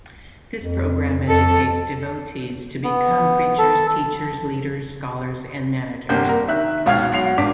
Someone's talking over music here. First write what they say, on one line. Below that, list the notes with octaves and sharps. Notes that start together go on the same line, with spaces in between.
This program educates devotees to become preachers, teachers, leaders, scholars, and managers.
F2
F2 A4
B3
A4
G1 C3 A#3 D4 F#5 G6
A#4
D#3 E5 F#6
C#2 B2 F5 F6 G#6
B1 F#5 C7 F7
G#1 D4 D6 B6